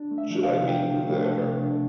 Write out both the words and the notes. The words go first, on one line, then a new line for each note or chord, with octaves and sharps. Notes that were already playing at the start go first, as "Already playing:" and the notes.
Should I meet you there?
Already playing: D4
A3
E5
F3
F5
C3
D4 G5
F3
A3
A3
C3
D4